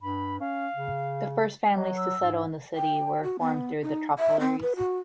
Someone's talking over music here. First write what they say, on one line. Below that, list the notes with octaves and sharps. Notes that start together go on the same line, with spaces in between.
The first families to settle in the city were formed through the Tropeiros.
G2 B5
C#4 F5
C#3
F#3 D#5
E6
G#2
G5
F#4
B3
D#4
E5
C4
B4
F#4